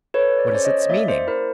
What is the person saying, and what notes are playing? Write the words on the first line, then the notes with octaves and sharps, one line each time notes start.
What is its meaning?
A4 B4 C#5
D5
C#5
C#4 C5 D5
C#5 D#5
D#5
A#3 D5 E5
C5 D5
E4 A#4 C5